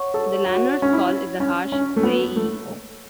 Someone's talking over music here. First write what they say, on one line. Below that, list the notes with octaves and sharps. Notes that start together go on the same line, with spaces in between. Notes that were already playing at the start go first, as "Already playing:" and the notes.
The lanner's call is a harsh "wray-e".
Already playing: C#5 F#5 C#6
A4
F#4
C#4
E4
C#4
C#4
A3
B3
A3